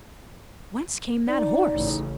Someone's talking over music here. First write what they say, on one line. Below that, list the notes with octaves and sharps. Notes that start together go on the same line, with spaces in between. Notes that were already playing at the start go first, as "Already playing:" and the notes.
Whence came that horse?
D#4 D5
A1 C#3